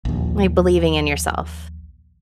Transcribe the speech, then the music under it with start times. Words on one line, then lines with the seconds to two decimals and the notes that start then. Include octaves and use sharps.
Like, believing in yourself.
0.05 A#1 D#2